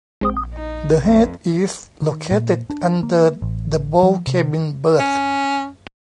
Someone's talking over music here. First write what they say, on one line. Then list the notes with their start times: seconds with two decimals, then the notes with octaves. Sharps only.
The head is located under the bow cabin berth.
0.21 A#1 G#3 C4
0.54 D#4
1.02 F2
2.02 D#3
2.31 A#2
2.70 D4
3.03 A#3
3.42 A1
4.03 F3
4.27 C3
4.99 C#4